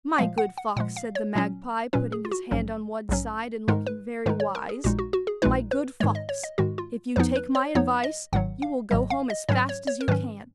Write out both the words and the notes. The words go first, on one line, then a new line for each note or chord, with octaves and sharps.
'My good fox,' said the magpie putting his head on one side and looking very wise--'my good fox, if you take my advice, you will go home as fast as you can.
A#2 F3 G#3 F5
F#5
F#5
A#2 F3 G#3 F#5
F5
C#5
A#2 F#3 C#4
A#2 F#3 C#4 B4
G#4
F4
F#4
A#1 G#2 F#3 C#4
A#1 G#2 F#3 C#4
G#2 D#3 G#3 D#4 A#4
B4
G#2 D#3 G#3 D#4 B4
C#5
A#4
G#4
A#1 A#2 G#3 D#4 F#4
F#4
F#4
G#4
A#1 A#2 G#3 D#4 B4
B4
G#2 D#3 G#3 C#5
D#5
C#5
D#5
G#2 D#3 G#3 F#4
F4
F2 F3 B3 D#4 B4
B4
C#5
F2 F3 B3 D#4 C#5
D#5
G#1 G#2 D#3 F#3 F#5
F5
G#1 G#2 D#3 F#3 D#5
F5
D#5
G#2 D#3 F#3 C#4 C#5
C#5
C#5
A#4
G#2 D#3 F#3 C#4 B4